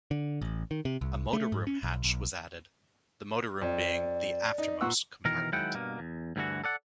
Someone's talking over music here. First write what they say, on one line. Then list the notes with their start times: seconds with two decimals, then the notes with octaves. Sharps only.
A motor room hatch was added, the motor room being the aftermost compartment.
0.11 D3
0.41 A1
0.71 D#3
0.85 C3
1.01 C2
1.33 A3
1.52 G#2
1.67 C#4
1.83 B1
2.04 B1
3.62 F2 D5
4.58 D#4
4.81 A#2 F#5 C#6 E6
5.25 B2 D#3 E3 A#4
5.52 D#3 F#3 G#3 E4 F#5 G5
5.75 G2 B2 A#3
5.99 E2
6.36 D2 G2 D3 E3 F#4
6.64 A4 D5 F#5